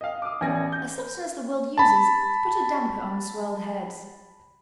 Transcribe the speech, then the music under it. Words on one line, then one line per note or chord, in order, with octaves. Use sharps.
A substance the world uses to put a damper on swelled heads.
D#5 F5
D6 D#6
A1 B3 D5 G#5 A#6
G6
A5 B5